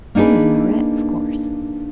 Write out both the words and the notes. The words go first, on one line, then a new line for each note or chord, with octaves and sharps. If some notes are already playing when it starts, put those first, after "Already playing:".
She was an Aurette, of course.
A#3 D4 D#4 G#4 B4